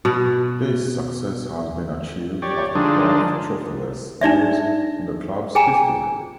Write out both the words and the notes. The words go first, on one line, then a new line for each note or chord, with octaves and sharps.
This success has been achieved after twelve trophyless years in the club's history.
B2
G4 C#5 D5
D3 F3 G#3 D4 D#4
D4 D#4 D5 E5
G#4 G5 G#5 A#5